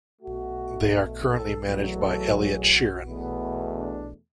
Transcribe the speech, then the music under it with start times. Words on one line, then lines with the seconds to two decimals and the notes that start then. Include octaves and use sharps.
They are currently managed by Elliott Sheeran.
0.22 B2 A3 F#4
1.29 A4
1.64 E2 B2 F#3 A3
1.99 A4
2.36 G#4
2.71 F#4
3.06 E2 B2 A3 B3
3.77 D4